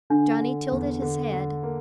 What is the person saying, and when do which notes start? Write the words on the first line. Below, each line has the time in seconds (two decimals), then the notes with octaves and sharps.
Johnny tilted his head.
0.10 D3 D4
0.40 D3
0.72 E2
1.02 D3
1.33 D3
1.63 A#3